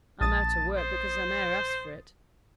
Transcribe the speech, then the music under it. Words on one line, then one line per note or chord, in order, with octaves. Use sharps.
I'm out o' work because I ne'er asked for it.
A#1 A5 D#6 A6
C5